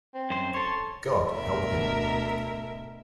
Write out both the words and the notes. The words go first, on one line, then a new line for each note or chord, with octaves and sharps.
God help him!
C4
F#2 C5
A4 C#5 C6
D2 B2 A#4 E5